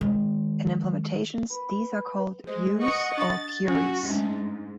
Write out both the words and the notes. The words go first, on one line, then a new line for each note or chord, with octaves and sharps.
In implementations these are called "views" or "queries".
D#3 G#3
B4
G#3 C5
B4 D#5 F#5 C#6
D4 C#6 A6
F#3 C#4 F#4
G#2 A3 C#4 D4